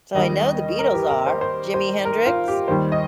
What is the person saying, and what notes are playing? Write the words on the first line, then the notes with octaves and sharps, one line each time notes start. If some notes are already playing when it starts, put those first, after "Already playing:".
So, I know the Beatles are. Jimi Hendrix?
D#2 D#3 G3 D#5
A#4
G4
A#4
C5
C5
C5
A#4
F4
G4
D#2 D#3 G3 C5
D#5